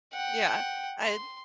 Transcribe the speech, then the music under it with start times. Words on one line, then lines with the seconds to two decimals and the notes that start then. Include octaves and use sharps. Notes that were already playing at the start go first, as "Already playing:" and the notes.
Yeah. I'd
0.13 F#5 G5
1.01 C6